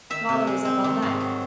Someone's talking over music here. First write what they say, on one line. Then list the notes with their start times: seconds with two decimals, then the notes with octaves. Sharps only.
Waller was up all night.
0.10 D#3 E5
0.29 C3
0.47 G#3
0.65 C4
0.84 D#3
1.02 G#2
1.20 F#3